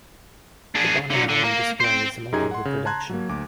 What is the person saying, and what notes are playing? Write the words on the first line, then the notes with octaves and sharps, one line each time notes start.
The banner now on display is a modern reproduction.
D4 G#4
D3 F#3
D3
A#3
C5 G5
F#2 D#4 G4 G#4 A#5 G#6
F#5 C6
C#3
A5 A#5 C6 F#6 G#6
F#3 A#3
D2 D6